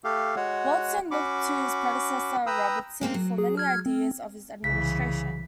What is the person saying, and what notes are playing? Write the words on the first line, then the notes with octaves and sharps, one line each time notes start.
Walton looked to his predecessor Robertson for many ideas of his administration.
A3 G4 A4 F5
G#3 F#4 C#5 F#5
C#4 F#4 B5 C#6 D6
B4 G5 A#5 B5 D#6 E6
G#3 A#3 C4
F#3
G#4
F6 G#6
C4
C2 C#3 E3 B6